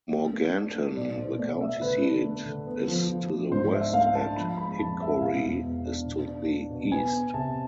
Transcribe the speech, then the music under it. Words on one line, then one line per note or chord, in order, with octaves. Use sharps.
Morganton, the county seat, is to the west, and Hickory is to the east.
D4
A3
D4
A3
B2 D5
B2 C5
A3 D5
A3 E5
D3 B4
D4
A3
D3
B3
F3
F3
F3
G#2 C5
D4 E5
A3 F5
D4 A5
F3 B5
G#3 B5
F2 A5
G#3 E5
B2 F5
E2
E2
D4
B2
D4
D4
B2
B3 G#5
B3
C3 A5